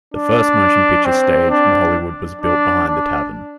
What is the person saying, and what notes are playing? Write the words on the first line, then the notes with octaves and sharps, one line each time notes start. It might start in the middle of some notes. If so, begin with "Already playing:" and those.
The first motion picture stage in Hollywood was built behind the tavern.
D4
C4
D4
D4
D4